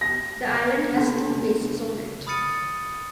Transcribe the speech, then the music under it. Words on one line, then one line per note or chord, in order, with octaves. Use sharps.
The Island has two bases on it.
A#6
A#3 B3 C#4 D4 A4
B5 D#6 F6 A6 C#7 D#7